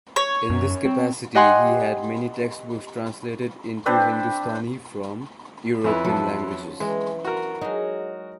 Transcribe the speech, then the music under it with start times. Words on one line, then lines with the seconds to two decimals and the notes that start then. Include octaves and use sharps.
In this capacity he had many textbooks translated into Hindustani from European languages.
0.16 C#5
0.50 F#2
0.85 C4
1.35 G4 D#5 F#5 G#5 C6 F#6
3.86 C4 D4 B4 C5
5.84 F2 C#4 E4 B4
6.04 F3 F#3 A4
6.80 E3 G#3
7.25 F#4 A#4
7.61 F#3 G#3 D#4